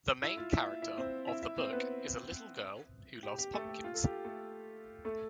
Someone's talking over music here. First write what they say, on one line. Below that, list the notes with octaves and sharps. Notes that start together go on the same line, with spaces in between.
The main character of the book is a little girl who loves pumpkins.
E4 E5
F4 F5
E4 E5
E4 E5
C4 C5
E4 E5
E4 E5
C4 C5
B3 B4
G4
G4
A3 A4
G4
F4
A4
G4
A3 A4
A3 A4